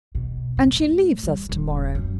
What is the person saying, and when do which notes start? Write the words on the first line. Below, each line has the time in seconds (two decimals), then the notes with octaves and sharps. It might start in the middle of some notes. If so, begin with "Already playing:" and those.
And she leaves us to-morrow.
0.15 B2
0.57 A2
1.23 G3
1.49 D#1
1.95 F#2